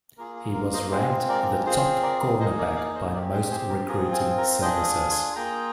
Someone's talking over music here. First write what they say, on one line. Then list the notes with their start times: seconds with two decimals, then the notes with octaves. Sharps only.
He was ranked the top cornerback by most recruiting services.
0.17 A#3 F4 G#4 A#4
0.36 G#4
0.54 A#4
0.73 C5 D#5
0.91 G#3 C4 F4 G#4 C5
1.28 A#4 D5
1.66 C4 F4 G#4 C5
2.02 A#4 D5
2.39 A#3 D#4 G#4 C5 D#5
2.58 A#4 D5
2.76 D5 F5
2.95 C5 D#5
3.13 C4 G4 A#4 D5
3.32 G#4 C5
3.51 G#4 C5
3.69 A#4
3.87 C4 F4 G#4 A#4
4.12 G#4
4.38 A#4
4.61 D4 F4 G#4 D#5 G5
5.11 G#5 C6
5.35 A#3 F4 G#4 G5 A#5